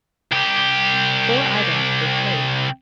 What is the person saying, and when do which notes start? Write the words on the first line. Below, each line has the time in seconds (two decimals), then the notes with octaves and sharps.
Four items were played.
0.32 C2 G4